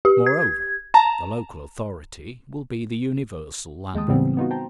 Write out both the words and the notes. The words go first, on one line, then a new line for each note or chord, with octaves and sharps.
Moreover, the local authority will be the universal landowner.
G4
G#6
A5 A#5
D#2 G#3 G5 A5 D#6
A2 C#3 E3 G3 B3 C4
B3 D#4 F4 F#4
C5 G5 A5 A#5 C6